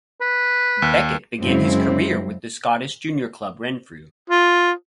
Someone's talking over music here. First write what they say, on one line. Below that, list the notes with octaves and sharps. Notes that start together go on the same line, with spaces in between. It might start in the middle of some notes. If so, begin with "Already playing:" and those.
Beckett began his career with Scottish junior club Renfrew.
B4
D#2
F#2 C#3 G#3 C4 E4 C5
F4